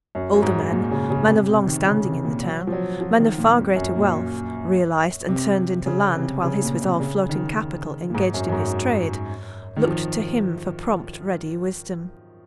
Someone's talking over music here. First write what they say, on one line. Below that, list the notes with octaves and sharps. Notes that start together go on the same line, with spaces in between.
Older men, men of long standing in the town, men of far greater wealth--realised and turned into land, while his was all floating capital, engaged in his trade--looked to him for prompt, ready wisdom.
F#2
F#2
G#2
G#2
A#2
C#3
C#3
C3
C3
D#3
C#3
C3
A#2
F#3
F3
F#3
F3
D#3
A#2
F2
F#2
A#2
C3
C#3
C3
C#3
A#2
C3
C#3
D#3
A#2
G#2
F#2
F#2
G#2
D#3
F3